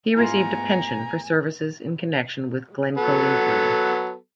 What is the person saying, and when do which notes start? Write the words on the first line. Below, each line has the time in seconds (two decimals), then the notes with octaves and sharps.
He received a pension for services in connection with Glencoe inquiry.
0.16 G#2 A3 B3 E4 F4 G#5 A#5
2.98 F#3 B3 A4